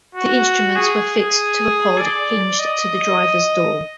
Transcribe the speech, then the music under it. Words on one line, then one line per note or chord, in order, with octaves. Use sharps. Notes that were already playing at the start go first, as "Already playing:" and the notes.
The instruments were fixed to a pod hinged to the drivers door.
F#4
G#4
D5
D#5